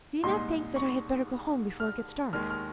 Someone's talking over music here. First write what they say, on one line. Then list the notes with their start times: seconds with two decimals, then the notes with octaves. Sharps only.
"Do you not think that I had better go home before it gets dark?"
0.23 C2 A#2 G#3 D#4 C6
0.76 C#6
1.80 F6
2.33 D#2 D#3 G#3 F6
2.50 F6